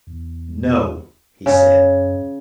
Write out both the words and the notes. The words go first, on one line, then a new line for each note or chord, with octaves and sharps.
"No!" he said.
E2
F#2 C#3